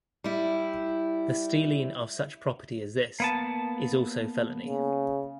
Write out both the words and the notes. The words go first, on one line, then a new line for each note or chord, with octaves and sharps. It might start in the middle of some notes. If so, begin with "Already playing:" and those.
The stealing of such property as this, is also felony.
G3 E4
A#3 B3 A5
C#3